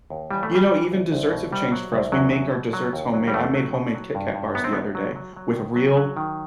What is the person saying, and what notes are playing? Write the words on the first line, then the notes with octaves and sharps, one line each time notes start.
You know, even desserts have changed for us, we make our desserts homemade, I made homemade KitKat bars the other day with real
D#2
E3 G3
A3
E3 G3
E3
C2
C2
B2
C2 G3
F#3
C2
E2 F#3
F#3
B2
F#3
D#2
F#3
G3
E2 A3
F#3
B2
F#3
G2
G2
F#2 B3
C4
F#2 B3
F#3
F#3
F#3
D#3
F#3
F#3
D#3